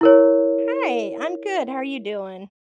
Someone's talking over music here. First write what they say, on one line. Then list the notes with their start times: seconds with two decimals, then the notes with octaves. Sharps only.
Hi. I'm good. How are you doing?
0.01 E4 A#4 C#5